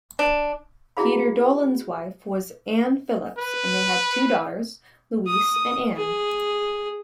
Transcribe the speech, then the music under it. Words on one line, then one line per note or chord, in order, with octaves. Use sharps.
Peter Dollond's wife was Ann Phillips and they had two daughters, Louise and Anne.
D4
E4 F#4 G#4 F5 B5
B4
D#6
G#4